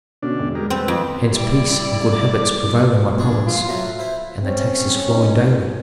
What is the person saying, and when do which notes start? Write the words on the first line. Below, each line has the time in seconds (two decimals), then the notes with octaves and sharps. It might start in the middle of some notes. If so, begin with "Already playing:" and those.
"Hence peace and good habits prevail in my province, and the taxes flow in daily."
0.23 B2 D3 C#4 D4
0.39 E1
0.55 G3 G#3 A#4
0.70 A3 C4 B4
0.88 F2 F4
1.32 G3 E4 D5 G5
2.10 D6
3.19 A#1 D4 G#4
3.46 F4
3.68 F#3 A3 F#4
3.99 E4 C5
4.43 C4 C#4
5.07 D#4